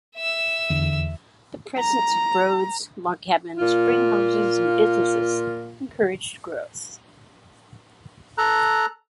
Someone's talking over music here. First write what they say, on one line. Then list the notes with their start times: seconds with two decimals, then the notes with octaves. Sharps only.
The presence of roads, log cabins, frame houses, and businesses encouraged growth.
0.16 E5 E6
0.70 E2 D3
1.78 A#5
3.59 A#2 F4
8.38 A4 A#5 F#6